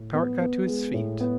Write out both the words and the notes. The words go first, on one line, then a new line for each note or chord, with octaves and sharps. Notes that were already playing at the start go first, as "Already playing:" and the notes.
Powart got to his feet.
Already playing: A2
B3
B3
G#3
A2
B3